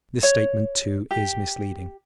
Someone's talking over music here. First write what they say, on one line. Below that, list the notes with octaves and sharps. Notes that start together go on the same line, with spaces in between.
This statement, too, is misleading.
C#5
G4